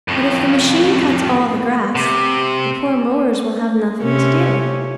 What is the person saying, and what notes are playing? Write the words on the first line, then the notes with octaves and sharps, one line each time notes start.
But if the machine cuts all the grass, the poor mowers will have nothing to do.
F2 A2
C3
C3 A3 C#4